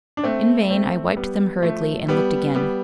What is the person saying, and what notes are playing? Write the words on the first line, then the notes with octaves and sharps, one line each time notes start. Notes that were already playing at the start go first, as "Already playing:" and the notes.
In vain I wiped them hurriedly and looked again.
D4
A3 C4
A3 C4
G3 B3
F3 A3
G3 B3
G3 B3